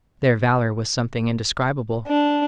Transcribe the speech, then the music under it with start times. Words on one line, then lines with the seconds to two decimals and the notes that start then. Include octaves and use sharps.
Their valor was something indescribable.
2.07 D4